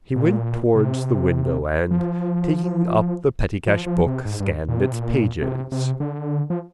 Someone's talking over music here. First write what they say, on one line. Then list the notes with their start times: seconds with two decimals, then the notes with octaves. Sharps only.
He went towards the window and, taking up the pettycash book, scanned its pages.
0.16 A#2
0.75 C3
1.91 F3
3.67 F3
3.86 F3
4.06 C3
4.25 G#2
4.40 G2
4.68 A#2
4.80 C3
4.92 A#2
5.42 C3
5.72 C3
6.00 D3
6.50 F3